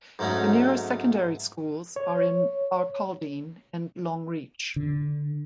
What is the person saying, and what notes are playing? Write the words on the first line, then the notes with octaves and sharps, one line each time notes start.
The nearest secondary schools are in Barcaldine and Longreach.
G#2 F#3 A3 C#4 D#4
C#5
D3